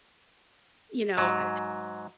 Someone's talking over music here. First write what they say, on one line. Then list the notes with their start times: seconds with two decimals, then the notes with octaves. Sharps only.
you know, I
1.17 G#2 F#3